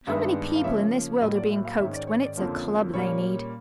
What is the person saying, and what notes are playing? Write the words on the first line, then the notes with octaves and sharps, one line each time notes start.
How many people in this world are being coaxed when it's a club they need!
G2 D#3 G#3 B3 D4 E5
F5
C#3 F3 A#3 C#4 E5
A2 F#3 A#3 D#5
D5
E5
F5
G#2 D#3 G#3 C#4 E5
D5
C#5
D5
F2 D3 F3 A#3 C#4
A#2 G3 A#3 C#4 C#5